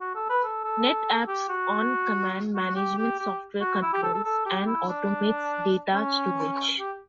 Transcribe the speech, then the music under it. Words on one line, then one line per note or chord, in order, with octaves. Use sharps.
NetApp's OnCommand management software controls and automates data-storage.
F#4
A4
B4
A4
A4
G4
F#4
F#4
G4
G4
G4
F#4
E4
G4
A4
A4
A4
G4
E4
D4
C#4
G4